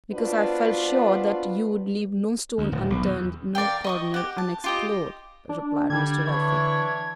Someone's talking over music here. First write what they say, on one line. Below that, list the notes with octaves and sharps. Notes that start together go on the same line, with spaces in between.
"Because I felt sure that you would leave no stone unturned, no corner unexplored," replied Mr. Elphick.
B2 C4 D4 F4 F#4 B4
D2
D#1
B1
E2
A#4 D5 F5 G5
D#5 C#6 D#6
G4 F#5
A5
F4 G4 D#5
D4
D3 G3 G#6
E3 D4 E4 C#5 G#6